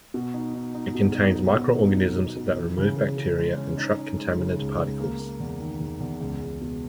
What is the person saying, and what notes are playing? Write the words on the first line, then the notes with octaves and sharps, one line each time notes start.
It contains microorganisms that remove bacteria and trap contaminant particles.
B2
D#4
D#4
D#4
B2
D#4
B2
B2
D#4
B2
B2
B2
E3
C#3
C#3
C#3
G#3
C#4
D#4
D#4
G#3
C#3
C#2
C#2
A#3
A#3
E2
D#3
E2
E2
C#2
C#2
B2